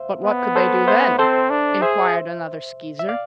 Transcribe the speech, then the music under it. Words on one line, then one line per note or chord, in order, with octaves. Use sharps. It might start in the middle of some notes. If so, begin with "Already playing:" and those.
"But what could they do then?" inquired another Skeezer.
Already playing: C5 E5 F5
B3
A4 C5
C5 E5
C4 A4 C5
D4
G#4 C5 E5
E5
D5 F5